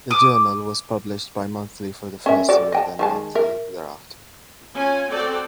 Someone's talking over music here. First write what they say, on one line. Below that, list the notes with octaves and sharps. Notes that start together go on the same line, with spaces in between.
The journal was published bimonthly for the first year, then monthly thereafter.
D6 D#6
C#4 A#4 E5
F#4 A4 D5
D#5 G5 A5
D#3 G#3 A5
A#4 E5
C#4 F4 G#5
C4 F#4 A4 D5 G5